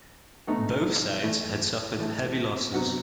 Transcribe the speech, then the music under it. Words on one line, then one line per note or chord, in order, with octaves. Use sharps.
Both sides had suffered heavy losses.
B2 A3 D#4 F#4
E3 A3 E4
E3 A3 E4
C3 F#3 B3 D#4 F#4